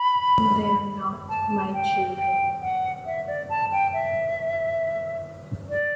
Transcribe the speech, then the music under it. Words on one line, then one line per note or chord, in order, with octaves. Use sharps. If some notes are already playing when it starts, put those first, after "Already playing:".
They're not my children.
Already playing: B5
A5
G5
G5
F#5
E5
D5
A5
G5
E5
D5